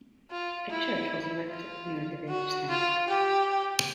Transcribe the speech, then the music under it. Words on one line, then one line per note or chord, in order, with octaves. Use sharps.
A church was erected near the village temple.
F4
E4
F4
F#4
F4
G4